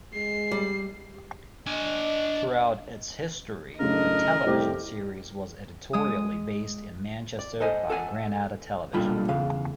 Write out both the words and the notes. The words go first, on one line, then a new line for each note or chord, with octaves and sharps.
Throughout its history, the television series was editorially based in Manchester by Granada Television.
G#3 C7
G3
D4 D#5 G#5
F#2 A2 C#3 D4 A#4 D#5
C2 A2 G4 C5
G#3 D#6
D5
A4 C5 D#5 G#5
A4 F#5 G#5
B1 A#2 D3 G3 F4 B5
E2 C#3 F5